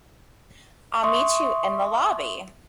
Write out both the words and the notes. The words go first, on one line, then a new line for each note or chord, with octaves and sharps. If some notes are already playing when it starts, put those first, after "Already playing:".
I'll meet you in the lobby.
E5 C6 C#6 D#6